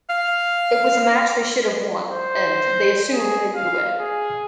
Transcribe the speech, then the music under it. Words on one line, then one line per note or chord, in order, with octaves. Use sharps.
It was a match they should have won, and they assumed they would win.
F5
C5
G#4
F5
G#4